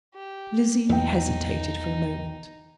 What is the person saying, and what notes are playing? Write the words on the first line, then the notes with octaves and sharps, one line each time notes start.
Lizzie hesitated for a moment.
G4
B1 E2 E3 D#4 G5